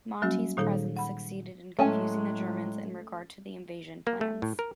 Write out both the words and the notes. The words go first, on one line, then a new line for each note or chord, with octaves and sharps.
"Monty's" presence succeeded in confusing the Germans in regard to the invasion plans.
F#3 G3 A#3 C#4 F#4
A#2 D#3 G3 D#4 A4
F#5 B5
A2 F#3 G#3 A3 C#4 G#5 A5
A#3
A3
A2
A#4